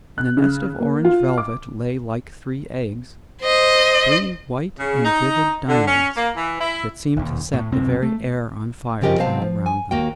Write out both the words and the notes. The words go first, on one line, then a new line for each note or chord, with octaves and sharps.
In a nest of orange velvet lay like three eggs, three white and vivid diamonds that seemed to set the very air on fire all round them.
F#6
C#3
A#3
F4
D6
C5 D#5
C#3
D#4
D3
C#4
A#3
E3
E4
E1 D#2
A2
D1 F#2 C3 C4
A3
F#2 C#3 F3 G4 A#4 D#5
C3 F#3 B3 C4 F5 A5
F3
G#5
D#2 A#3 F#4 G5